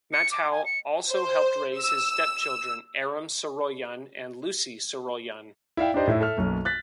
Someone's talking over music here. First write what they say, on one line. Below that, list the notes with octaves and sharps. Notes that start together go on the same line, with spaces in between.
Matthau also helped raise his stepchildren, Aram Saroyan and Lucy Saroyan.
C#7
D6
G#5
C#7
C5
E6
E4 D5 E5 F5 G5
D4 D#4 G4 C5 D5 D#5
A2 E4
A4 E5 F6
B1 F#2 A#3
F#6 A6 B6